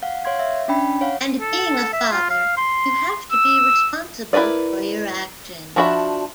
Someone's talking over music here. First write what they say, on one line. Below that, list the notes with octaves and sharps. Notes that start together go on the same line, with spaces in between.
And being a father, you have to be responsible for your actions.
F5 F#5
C#5 F5 C6 G#6
E5
C#4 D4 G5 B5
C#5 F5 F#5
A4
E5
F4
F5
C6
E6
E4 G#4 A#4 B4 D5
F3 D4 F#4 E5 B5